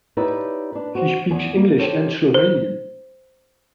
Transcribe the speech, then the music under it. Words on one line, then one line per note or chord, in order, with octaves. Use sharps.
She speaks English and Slovenian.
D#4 E4 G4 B4 C#5 D5
D4 B4
F#4 C5
E2 G#5
A#3
G4 A4 C5 C#5 G5
C5